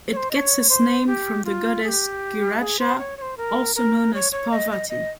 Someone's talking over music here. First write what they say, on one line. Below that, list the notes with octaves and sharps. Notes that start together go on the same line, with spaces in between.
It gets its name from the goddess Giraja, also known as Parvati.
C#5
C5
D#5
C#5
C5
G4
F4
G#4
G4
G#4
C5
C#5
C#5
C5
A#4
A#4
C#5
C#5
D#5
D#5
D#5